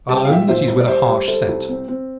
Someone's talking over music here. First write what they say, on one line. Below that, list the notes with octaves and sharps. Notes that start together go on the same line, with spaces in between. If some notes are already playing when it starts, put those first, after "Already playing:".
I'll own that he's with a harsh set.
G3 A5
G5
F5
A#2 E5 G5
A#2 C5 E5
C2
D5
G3 C5 E5
G3
G3 A4 C5
C2
C4
C4